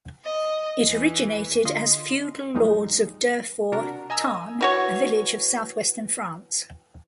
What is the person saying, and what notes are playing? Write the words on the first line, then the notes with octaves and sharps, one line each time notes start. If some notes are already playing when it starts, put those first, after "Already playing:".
It originated as feudal lords of Durfort, Tarn, a village of south-western France.
D#5
E2 E3
D3 F4 D#5 C6 C7
E2 A2 F3 G3 G#3 D#4
C3 D4 F#4 A#4
D#5 G#5 A#5 E6
E3 F#4 C#5